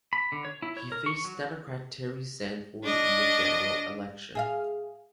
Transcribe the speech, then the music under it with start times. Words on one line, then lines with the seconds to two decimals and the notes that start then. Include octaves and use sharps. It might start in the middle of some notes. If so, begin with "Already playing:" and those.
He faced Democrat Terry Sanford in the general election.
0.13 B5
0.32 D3
0.45 C#5
0.62 E4
0.77 C#5
0.92 A#4
1.06 C#6
1.25 F#3
2.84 D4 D#5
4.35 G#4 E5 F5